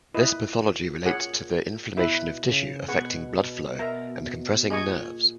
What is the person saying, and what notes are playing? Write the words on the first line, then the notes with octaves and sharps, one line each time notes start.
This pathology relates to the inflammation of tissue affecting blood flow and compressing nerves.
A#2 E4 B4 D#5
G#4 C#5 F#5
B2 E4 B4 E5 B5
C#3
B2 G#4 B4 F#5 C#6
A#4 E5 A#5
A#2 G#4 D#5 G#5 C#6